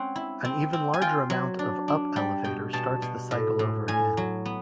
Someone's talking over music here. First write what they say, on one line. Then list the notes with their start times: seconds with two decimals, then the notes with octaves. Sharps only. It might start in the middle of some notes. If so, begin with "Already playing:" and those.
An even larger amount of up elevator starts the cycle over again.
Already playing: G#3 C4 C#4 F#5
0.16 E4
0.45 C4
0.73 C4
0.94 G#5
1.02 F4 G5
1.30 F#3
1.59 D4
1.88 D4
2.16 G3 G5
2.44 B2 G5
2.73 B2 A5
3.02 B2
3.31 A2
3.59 A2
3.88 A2 G#5
4.17 F#3
4.46 B3